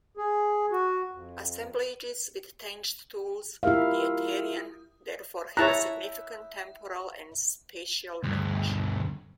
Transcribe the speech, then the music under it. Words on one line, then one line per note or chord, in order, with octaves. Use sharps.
Assemblages with tanged tools, 'the Aterian', therefore have a significant temporal and spatial range.
G#4
F#4
F2
E4 F4 G4 A#4 E5 F5
E4 C#5 A5 A#5 F#6
D2 G2